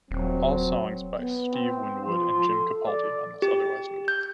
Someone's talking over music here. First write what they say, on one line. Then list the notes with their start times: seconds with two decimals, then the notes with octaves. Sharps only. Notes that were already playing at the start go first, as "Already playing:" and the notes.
All songs by Steve Winwood and Jim Capaldi unless otherwise noted.
0.11 D#1 F#3 C4
1.18 B3
1.54 C4
2.06 F3 C6
2.49 A4
2.87 D5
3.42 G4
4.08 G6